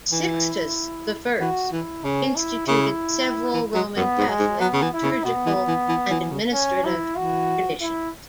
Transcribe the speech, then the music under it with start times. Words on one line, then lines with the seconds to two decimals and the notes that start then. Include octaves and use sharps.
Sixtus I instituted several Roman Catholic liturgical and administrative traditions.
0.12 E3 E4
1.40 E3 F#4
1.72 E3 E4
2.04 C#3 C#4
2.36 E4
2.68 C#3 E4
3.54 E3
3.75 F#3
3.96 F#2 B3
4.18 G#2
4.29 G#3
4.39 G#2
4.60 F#3 B3
4.73 C#3
4.82 E3
4.93 E4
5.03 C#3
5.24 B2 B3
5.46 E3
5.68 E3
5.89 E3
6.10 E3
6.21 E3
6.32 C#3
6.53 C#4
6.85 F#3 E4
7.16 E3 F#4
7.81 E4